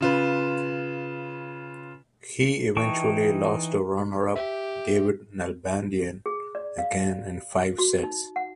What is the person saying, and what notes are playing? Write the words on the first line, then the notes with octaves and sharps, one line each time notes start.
He eventually lost to runner-up David Nalbandian, again in five sets.
C#3 F4 B4
E3 D#4 G5 A5 C#6
G4 E5
G#4
D5
F5
F#4
D#4
F#5